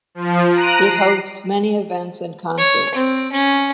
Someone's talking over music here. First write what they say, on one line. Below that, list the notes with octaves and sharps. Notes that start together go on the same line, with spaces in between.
It hosts many events and concerts.
F3
A#5 F#6 D7 D#7
C7
C#5
C4
C#4